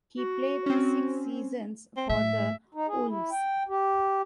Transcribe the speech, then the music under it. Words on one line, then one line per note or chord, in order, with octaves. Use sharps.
He played six seasons for the Wolves.
F#4
C4 C#4
C4
A2 E5
D#4
G#4
E4
G5
G4